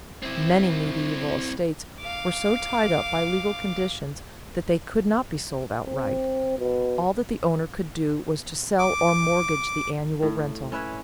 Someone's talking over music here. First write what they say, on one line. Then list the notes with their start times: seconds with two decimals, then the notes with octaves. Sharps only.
Many medieval estates were so tied up by legal conditions that they could not be sold outright; all that the owner could do was to sell or mortgage the annual rental.
0.23 C4 E4
2.00 F5 D6
5.86 C4
6.58 B2
8.79 D6
10.22 A2
10.72 C#4 E4 B4 C#5